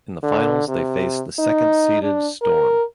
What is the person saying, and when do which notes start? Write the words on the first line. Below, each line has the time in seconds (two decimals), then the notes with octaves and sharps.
In the finals they faced the second seeded Storm.
0.23 D3
0.68 C3
1.39 D#4
2.03 D4
2.42 A#4